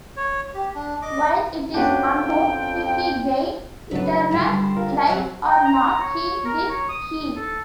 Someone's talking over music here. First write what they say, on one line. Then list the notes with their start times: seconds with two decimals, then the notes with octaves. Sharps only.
While it is unknown if he gained eternal life or not, he did heal.
0.17 C#5
0.54 G4
0.75 D4
1.02 D#5 D6
1.74 F2 C#4 D4 F#4 B4 G5
3.91 C#3 F#3 A3 D4 B4
4.31 D3 G3
4.60 B5 C6
4.76 F4 A#4 F5
5.07 F#3 C4 F#5
5.47 G5
5.65 A#5
5.99 C#5
6.45 A#4
6.69 C#5
6.89 D#6
7.36 A4